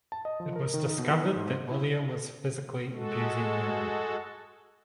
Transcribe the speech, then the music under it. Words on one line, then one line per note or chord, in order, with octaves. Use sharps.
It was discovered that William was physically abusing Mary.
A5
D#5
F3
A#4
D#3
D#4
B2
E3
D#4
G#2
C5
E4
G#3 F#4 A4